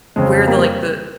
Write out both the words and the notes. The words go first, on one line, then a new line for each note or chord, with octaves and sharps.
where the, like, the
F2 C#3 F3 G#3
G3 A#3